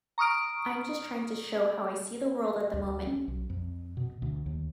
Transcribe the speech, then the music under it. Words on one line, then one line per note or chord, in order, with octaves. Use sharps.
I'm just trying to show how I see the world at the moment.
A#5 C#6 D#6 F6 D7
D2
C#4
B1
F2
B2
D2
D#2